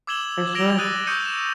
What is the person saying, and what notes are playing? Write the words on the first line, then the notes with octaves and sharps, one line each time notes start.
For sure.
D6 E6 G#6 E7 F#7 G7
D6 E6 A#6 D7 F7 G7
D#6 F#6 A6 D7 D#7
C#6 D#6 E6 G6 C#7 D#7
E7